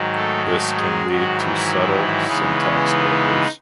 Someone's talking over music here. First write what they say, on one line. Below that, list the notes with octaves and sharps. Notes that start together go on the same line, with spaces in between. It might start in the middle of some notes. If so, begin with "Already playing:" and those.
This can lead to subtle syntax errors.
Already playing: G#2 D#3 F#3
A3 A4
A3 A4
G#3 G#4
G#2 D#3 F#3 F#4
E3 E4
C#3 E3 G#3 B3 D#4
C#4
D#4